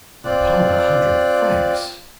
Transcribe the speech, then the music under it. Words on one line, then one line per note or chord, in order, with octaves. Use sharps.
"Upon a hundred francs!"
C4 F4 D5 F#6